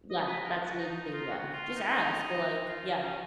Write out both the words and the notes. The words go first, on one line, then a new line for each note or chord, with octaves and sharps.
Yeah. That's me too. Yeah. Just ask. Like yeah.
D#5
B4
A#4
F#4
D#4
D#4
F4
F#4
F4
D#4
F4
D#4
C#4